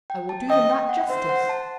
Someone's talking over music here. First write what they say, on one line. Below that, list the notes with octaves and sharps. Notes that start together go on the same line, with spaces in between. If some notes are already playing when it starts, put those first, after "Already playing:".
I will do them that justice.
G5
A5
D#5 G5
G5
F#5
C5 E5
F#5
A5